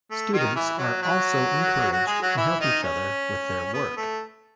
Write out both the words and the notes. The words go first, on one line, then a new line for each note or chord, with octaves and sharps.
Students are also encouraged to help each other with their work.
A3
D#3 D#4
E3 E4
F#3 F#4
F#3 F#4
F#3 F#4
G#3 G#4
F#3 F#4
E3 E4
D#3 D#4
C#4
B3
A3